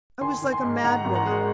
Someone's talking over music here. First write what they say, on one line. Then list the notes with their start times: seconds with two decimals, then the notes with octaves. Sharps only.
I was like a madwoman.
0.21 D#3 G#5 C6
0.42 D#3
0.52 G#5 C6
0.63 G#2
0.84 D#3 F#5 A#5
1.05 G#1
1.15 F#5 A#5
1.26 G#3